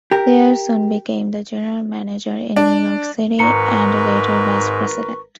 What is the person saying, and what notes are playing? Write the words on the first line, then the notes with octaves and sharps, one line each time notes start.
Thayer soon became the general manager in New York City and later vice-president.
G4 A#4
D4
G#1 G#2 A#4 B4 A#5 C#6 C#7